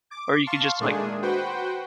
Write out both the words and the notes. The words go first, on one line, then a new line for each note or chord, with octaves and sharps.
Or you could just, like,
D6
F5 A5 C6 C#6
A#2 D#3 G#3 A3 D4 G#4
F#4 B4 C5 F#5 G5